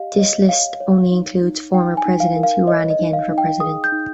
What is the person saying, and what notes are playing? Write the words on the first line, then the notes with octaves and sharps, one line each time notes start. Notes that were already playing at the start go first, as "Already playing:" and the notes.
This list only includes "former" presidents who ran again for president.
Already playing: G4 D#5 F5
C#5 D#5
C#5 F5
C#5
D#4
D#4
D#4 G5
G#5
D#4
F5
A#4
F5
C#5 D#5
D#5
D#4
F5
D#4
G5
G#4 D#6
G6
D#4